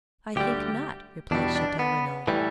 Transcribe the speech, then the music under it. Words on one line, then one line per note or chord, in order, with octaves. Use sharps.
"I think not," replied Chateau-Renaud.
D2 D3 G3 G4
E2 B2 G3 D4
D4
B3
A2 E3 G3